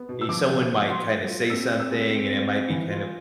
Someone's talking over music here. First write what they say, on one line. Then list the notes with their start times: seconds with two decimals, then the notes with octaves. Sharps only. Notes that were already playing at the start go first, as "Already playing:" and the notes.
someone might kinda say something, and it might be kind of
Already playing: B3
0.09 B2
0.21 E6
0.29 F3 D6
0.49 F3
0.69 F3
0.89 B2 C6
1.09 A3
1.29 F4
1.50 C4 E6
1.70 C4
1.80 E6
1.90 G#3
2.10 C4
2.30 C4
2.50 C4
2.70 E3
2.90 F4